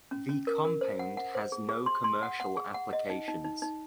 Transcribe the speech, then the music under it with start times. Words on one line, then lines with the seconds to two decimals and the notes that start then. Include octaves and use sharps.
The compound has no commercial applications.
0.11 C#4
0.29 C#4
0.47 A#4
0.65 A#4
0.81 C5
0.99 F#5
1.17 F#5
1.35 C5
1.52 G#4
1.69 G#4
1.86 C6
2.04 C6
2.23 F#5
2.40 F#5
2.57 G#4
2.74 F#5
2.93 D#5
3.10 D#4
3.28 D#4
3.44 D#4
3.62 D#4